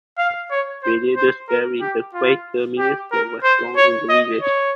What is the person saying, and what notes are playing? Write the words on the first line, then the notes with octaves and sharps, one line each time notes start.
William Dewsbury the Quaker minister was born in the village.
F5
C#5
C5
C5
A#4
G4
F4
G4
A#4
C5
C#5
D#5
C#5